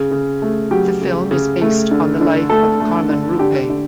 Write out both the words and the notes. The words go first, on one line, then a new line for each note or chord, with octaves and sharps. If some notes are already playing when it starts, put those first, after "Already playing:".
The film is based on the life of Carmen Rupe.
Already playing: C#3
C#3
A3
F#3 G4
C#3
C#3
A3
D3
D3
A3 A4
A3
D3
D3 G4
D3